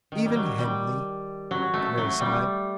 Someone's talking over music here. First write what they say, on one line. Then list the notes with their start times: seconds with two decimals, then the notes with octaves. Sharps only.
"Even Henley!" Clare sighed.
0.12 D#3
0.25 G3
0.36 F#3
0.58 G3
1.51 F#3
1.74 A3
1.98 F#3
2.21 G3